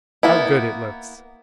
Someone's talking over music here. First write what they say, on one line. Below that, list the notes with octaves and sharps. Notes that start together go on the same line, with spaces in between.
How good it looks!
A#3 B3 E4